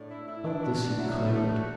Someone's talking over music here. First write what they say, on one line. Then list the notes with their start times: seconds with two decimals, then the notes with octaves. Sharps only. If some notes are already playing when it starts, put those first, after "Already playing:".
Up this he clambered.
Already playing: A2 D4
0.09 E4
0.26 E4
0.44 D4
0.63 F#4
0.80 F#4
0.88 D4
0.98 F#3 E4
1.15 B2
1.24 D4
1.33 A3
1.50 F#4